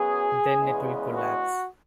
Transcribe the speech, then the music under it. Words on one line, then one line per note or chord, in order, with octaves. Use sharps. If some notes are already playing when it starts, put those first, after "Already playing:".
Then it will collapse.
Already playing: F#2 F#3 B3 G#4
E2 C#3 G#3 B3
F#4